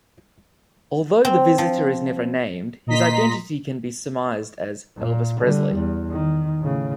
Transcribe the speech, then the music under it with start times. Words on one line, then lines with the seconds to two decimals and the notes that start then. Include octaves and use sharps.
Although the Visitor is never named, his identity can be surmised as Elvis Presley.
1.25 C4
1.58 F3
2.87 A#2 D#5 A#5 C6 B6
4.97 A#2
5.41 D3 G3
5.76 E2
6.10 D#3
6.60 A2 C#3